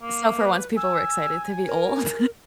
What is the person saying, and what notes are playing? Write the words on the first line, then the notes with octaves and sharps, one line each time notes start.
So, for once, people were excited to be old?
A#3
B4
G#5 E6
A#4